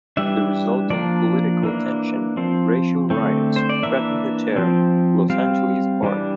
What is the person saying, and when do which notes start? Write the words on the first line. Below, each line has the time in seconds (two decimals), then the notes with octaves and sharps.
The resulting political tension and racial riots threaten to tear Los Angeles apart.
0.17 E3 G3 D4 E5
0.90 F3 A#3 D4 D5
1.63 E3 A#3 D4
2.37 F3 C4
3.10 D3 A3 C4
3.56 C5
3.69 D5
3.83 E3 A#3 D4 E5
4.56 F3 C4
5.30 G3 C4 F5
6.03 E3 G3 D4